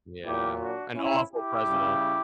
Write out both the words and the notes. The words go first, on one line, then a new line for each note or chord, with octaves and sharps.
Yeah, an awful president.
A#2 F#3 E4 G4
D4 F#4
C#4 E4
E4 G4
C#3 G3